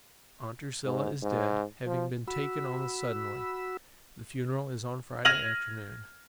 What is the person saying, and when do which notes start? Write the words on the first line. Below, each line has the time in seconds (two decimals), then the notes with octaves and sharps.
Aunt Drusilla is dead, having been taken almost suddenly. The funeral is on Friday afternoon.
0.85 G#2
1.23 G#2
1.86 F3
2.28 F#4 B5 E6
5.25 F6 G#6 A#6 D#7 F7 F#7